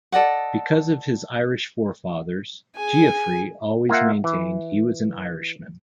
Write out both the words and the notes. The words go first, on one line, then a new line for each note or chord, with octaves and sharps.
Because of his Irish forefathers, Geoffrey always maintained he was an Irishman.
A4 D5 D#5 F#5
G#4 G#5
A#3 F4 E5 F#5
E3